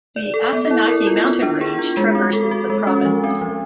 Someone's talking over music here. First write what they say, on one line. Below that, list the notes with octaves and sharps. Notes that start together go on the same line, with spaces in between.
The Asanaki mountain range traverses the province.
D5
A4
B3
E4
A#4
F4
B3
D4
G#4
F4
G#3
C4
A4
F#4
G#3
C#4
F3
C4
F3